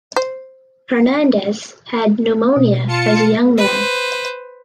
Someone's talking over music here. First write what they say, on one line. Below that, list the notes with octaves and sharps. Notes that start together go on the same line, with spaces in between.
Hernandez had pneumonia as young man.
C5
B2
F4 A5 C#7
B4 C5